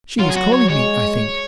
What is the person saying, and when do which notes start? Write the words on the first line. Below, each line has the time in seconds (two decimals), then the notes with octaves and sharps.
"She is calling me, I think."
0.20 F#3 F4
0.31 G#4
0.36 F#4
0.53 C#5
0.69 G#3 C#5